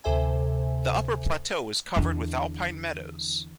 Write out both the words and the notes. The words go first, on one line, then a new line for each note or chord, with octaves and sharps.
The upper plateau is covered with alpine meadows.
D2 C3 A4 C5 E5 G#5
E2 D3